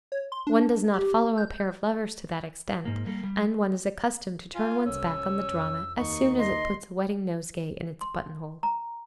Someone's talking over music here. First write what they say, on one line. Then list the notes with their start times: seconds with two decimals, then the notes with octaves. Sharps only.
One does not follow a pair of lovers to that extent, and one is accustomed to turn one's back on the drama as soon as it puts a wedding nosegay in its buttonhole.
0.12 C#5
0.32 C6
0.47 D4
0.94 G4
1.37 G6
2.85 G#2 A#3
3.07 G3 A#3 A4
3.24 G3
4.55 F4 G#5
4.85 C2 C#4 E6
5.46 F2
5.97 D#2 D#4 C#6
6.38 D#5 C6
8.01 C6
8.63 A#5